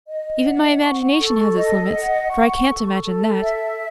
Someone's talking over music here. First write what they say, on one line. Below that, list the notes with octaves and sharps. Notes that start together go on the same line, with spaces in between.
Even my imagination has its limits, for I can't imagine THAT.
D#5
F#5
C#6
A4
D#5
F#5
C#6
A4
A4
E5